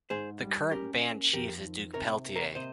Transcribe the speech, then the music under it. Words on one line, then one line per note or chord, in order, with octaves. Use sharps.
The current band chief is Duke Peltier.
G#2 G#4 C5
G3
C#4 G4 A#4
A#3
F2 G4 A#4
D#3
C3 A#4 C#5
A#3
A#4 C#5
C3 C5 D#5